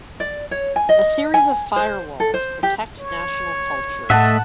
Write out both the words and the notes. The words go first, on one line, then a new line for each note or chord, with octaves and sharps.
A series of fire-walls protect national cultures.
D5
C#5
G#5
D#5
G#5
C5
A4
C5
G4
C#5
A2 A3 D#5 E5 F#5 A5